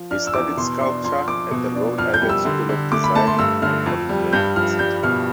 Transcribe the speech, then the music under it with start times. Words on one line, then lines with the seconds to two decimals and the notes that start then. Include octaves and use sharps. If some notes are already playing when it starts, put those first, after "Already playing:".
He studied sculpture at the Rhode Island School of Design and Columbia University.
Already playing: F3
0.11 D4 F6
0.27 E6
0.34 E2 D6
0.57 B2 C6
0.81 D4 C6
1.04 F2 C6
1.28 F2 D6
1.51 B2
1.75 D4
1.98 F2 F6
2.14 G6
2.22 G3
2.29 E6
2.45 D3
2.69 D3
2.92 A3 D6
3.04 B5
3.15 A3 A5
3.27 C6
3.39 G2 E6
3.62 D3 F6
3.86 F2
4.09 G3
4.33 G2 G6
4.56 F3 F6
4.79 G3 G6
5.03 B2 F6